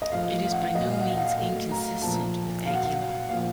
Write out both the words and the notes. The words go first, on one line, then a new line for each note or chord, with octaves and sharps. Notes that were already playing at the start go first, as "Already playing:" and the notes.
It is by no means inconsistent with "Aguilar".
D#5
A2 F3 F5
F5
F#5
F5
A#2 F#3 D#5
F5
F#5
F5
F#5
F5
A2 F#3
A#5
A#2 F3 A5
A#2 F#3 F5
F#5
F5
A#2 F3 F5